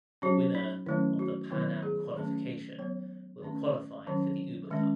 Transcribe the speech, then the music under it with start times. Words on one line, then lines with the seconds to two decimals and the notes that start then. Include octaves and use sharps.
The winner of the Pan Am qualification will qualified for the Uber Cup.
0.22 F#3 C#4 F#4
0.55 D#4
0.86 D#3 F#3 A3 C#4 E4
1.19 F#4
1.51 D#3 F#3 B3 E4
1.83 G#4
2.15 D#3 F#3 A3 C#4
2.78 F#3 B3 C#5
3.42 D#3 A3 C#4
4.07 D#3 F#3 C#4
4.70 D#3 G#3 C#4